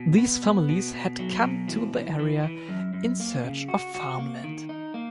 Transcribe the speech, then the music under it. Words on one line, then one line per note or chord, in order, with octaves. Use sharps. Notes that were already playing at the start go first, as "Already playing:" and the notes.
These families had come to the area in search of farmland.
Already playing: B2
B3
B3
B2
B2
F#3
B2
E3
E3
E3
E3
F#2
F#2
A#3
C#3
F#4
F#4
A#3
D#3
D#4
A#3